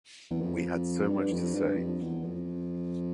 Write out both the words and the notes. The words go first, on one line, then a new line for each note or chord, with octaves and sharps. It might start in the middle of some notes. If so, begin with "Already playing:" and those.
We had so much to say.
E2
F2
G2
F2
G2
F2
E2
F2